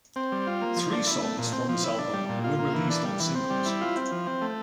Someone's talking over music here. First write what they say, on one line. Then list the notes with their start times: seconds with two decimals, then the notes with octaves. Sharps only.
Three songs from this album were released on singles.
0.16 C4
0.32 G3
0.47 F4
0.61 A#3
0.76 F3
0.92 D4
1.07 E4
1.23 A3
1.38 A#2
1.52 C4
1.69 F3
1.84 E4
1.99 D4
2.13 G3
2.29 A#2
2.44 F4
2.59 A#3
2.75 E3
2.90 D4
3.05 G3
3.20 E3
3.35 C4
3.50 G3
3.66 E4
3.81 F4
3.96 C4
4.12 F3
4.27 C4
4.42 A3